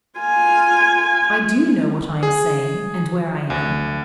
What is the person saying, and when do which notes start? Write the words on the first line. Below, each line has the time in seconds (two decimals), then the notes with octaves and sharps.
I do know what I am saying and where I am.
0.19 F4 G#5
2.23 G#4
3.50 D2